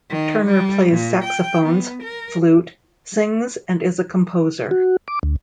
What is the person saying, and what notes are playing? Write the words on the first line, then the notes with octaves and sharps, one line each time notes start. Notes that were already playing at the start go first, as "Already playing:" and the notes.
Turner plays saxophones, flute, sings and is a composer.
D#3
G3
A#2
G5
B3
A#4
F#4
D6
D2